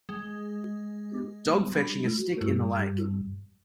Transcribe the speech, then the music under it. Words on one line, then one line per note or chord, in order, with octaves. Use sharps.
Dog fetching a stick in the lake.
G#3
B5
G2